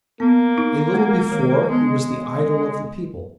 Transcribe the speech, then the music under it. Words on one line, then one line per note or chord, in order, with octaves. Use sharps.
A little before, he was the idol of the people.
A#3 B3
D#4
G#3
D#3
G#3 B3